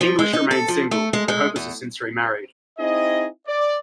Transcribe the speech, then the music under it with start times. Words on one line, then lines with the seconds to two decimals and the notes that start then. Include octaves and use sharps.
English remained single, but Hovis has since remarried.
0.01 F3
0.19 G#3
0.33 D#4
0.51 A4
0.68 F3
0.91 A3
1.13 G#3
1.28 G#3
1.56 E2
2.79 C4 D#4 E4 G#4 D#5
3.47 D5